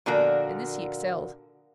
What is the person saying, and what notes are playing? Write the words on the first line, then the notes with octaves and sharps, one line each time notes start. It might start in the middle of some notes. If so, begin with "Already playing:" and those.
In this he excelled.
A#2 D3 F3 F#4 A#4